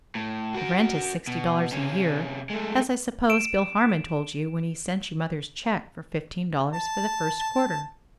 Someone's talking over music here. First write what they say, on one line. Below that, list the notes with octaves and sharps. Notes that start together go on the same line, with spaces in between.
The rent is sixty dollars a year, as I suppose Bill Harmon told you when he sent you mother's check for fifteen dollars for the first quarter.
A2
F#4 A#4
B2
C3 C#4
G#3 A3
D7 E7
A5